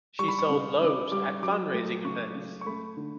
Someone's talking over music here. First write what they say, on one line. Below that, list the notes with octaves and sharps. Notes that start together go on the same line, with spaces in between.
She sold loaves at fundraising events.
G3 C#6
B5
C#6
C#3
C#3 D6
G3 D6
F#3 D6
A3
C#3 C#6
C#3
C#6
A3 B5
D3